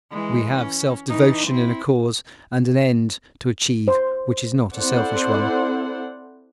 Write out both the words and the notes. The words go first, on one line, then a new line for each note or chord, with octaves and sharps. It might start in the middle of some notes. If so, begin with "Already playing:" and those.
We have self-devotion in a cause, and an end to achieve which is not a selfish one.
E3 G#3
C#4
E3 D#4
C4 E4
C5
C4 E4 A4 C5 D5 F#5